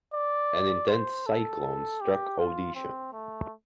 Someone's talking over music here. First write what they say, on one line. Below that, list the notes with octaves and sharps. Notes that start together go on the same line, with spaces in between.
An intense cyclone struck Odisha.
D5
C5
A4
G4
F4
C4
A3